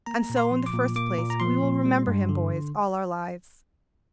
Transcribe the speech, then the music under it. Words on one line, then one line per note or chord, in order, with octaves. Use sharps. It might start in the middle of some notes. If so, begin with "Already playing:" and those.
And so in the first place, we will remember him, boys, all our lives.
A#3 A#5
A#2
C6
F3
D6
A#2
A#3 D6
A#2
A#5
F3 C6
A#2
G3
G2
D3